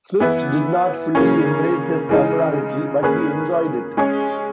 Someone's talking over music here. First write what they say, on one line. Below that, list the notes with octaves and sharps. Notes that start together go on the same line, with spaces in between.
Swift did not fully embrace his popularity, but he enjoyed it.
E3 B3 E4
C#3 E3 A#3 C#4
C#3 E3 G#3 D#4
A#3 C#4 G#4 B4
G#3 C#4 G#4 C#5